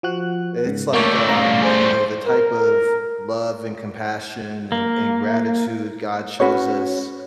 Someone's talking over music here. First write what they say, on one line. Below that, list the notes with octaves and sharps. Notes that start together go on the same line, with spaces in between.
it's like, um, you know, the type of love, and compassion, and and gratitude God shows us,
F3 F#4 F#6
G#2 C#3
G3 A3 A#3 C#5 D6
C#4 F5 A#5
G#4 C5
A#4
A#3
C#4 F#4 B4 C#5